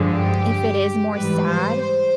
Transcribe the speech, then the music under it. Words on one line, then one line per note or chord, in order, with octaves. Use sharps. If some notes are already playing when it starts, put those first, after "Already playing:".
if it is more sad,
Already playing: G2 D3 F3 G#3
G4
G#2 E3 G3 B4
C5
C5